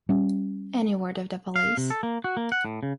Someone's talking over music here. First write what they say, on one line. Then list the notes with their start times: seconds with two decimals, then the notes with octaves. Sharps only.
Any word of the police?
0.09 G3 C#4
1.56 F5
1.77 C3
1.90 A4
2.03 A#3
2.24 F#4
2.37 A#3
2.52 F#5
2.65 A2
2.83 C#3